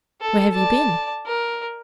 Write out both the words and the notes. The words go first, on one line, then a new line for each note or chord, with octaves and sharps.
Where have you been?'
A4
D5 A5
A#4